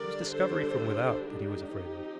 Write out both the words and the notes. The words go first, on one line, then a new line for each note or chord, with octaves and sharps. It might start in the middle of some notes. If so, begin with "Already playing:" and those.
It was discovery from without that he was afraid of.
Already playing: D3 G3 D4 A#4 D5
A4 C5
D#4 G4
F3 C4